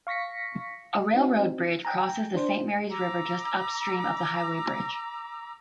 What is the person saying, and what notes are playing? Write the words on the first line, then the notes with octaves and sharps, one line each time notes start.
A railroad bridge crosses the Saint Marys River just upstream of the highway bridge.
F5 C#6 A#6 B6 C#7
C4 D#4 F#4
G5 G#5 A#5
D4 C5
A#5 D6 E6